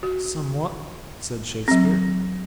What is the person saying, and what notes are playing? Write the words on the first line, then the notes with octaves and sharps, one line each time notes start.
"Somewhat," said Shakespeare.
F#4
F#3 C4